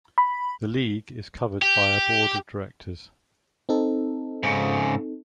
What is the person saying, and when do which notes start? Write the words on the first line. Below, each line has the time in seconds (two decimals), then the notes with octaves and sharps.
The League is governed by a Board of Directors.
0.18 B5
1.62 G4
3.69 C4 D#4 A4
4.43 G#2 C#3